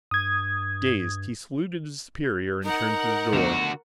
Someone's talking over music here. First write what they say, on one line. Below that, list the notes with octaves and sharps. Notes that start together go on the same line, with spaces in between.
Dazed, he saluted his superior and turned to the door.
G2 D#6 G#6
D#4 A#4 F#5
D2 B2 D3 F3 F#4